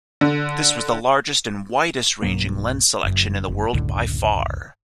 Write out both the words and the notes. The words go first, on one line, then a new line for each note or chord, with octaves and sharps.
This was the largest and widest ranging lens selection in the world by far.
D3
B1 G2 F#3 A#3
F#1 F#2
F#1
F#1 C#2 A2 D3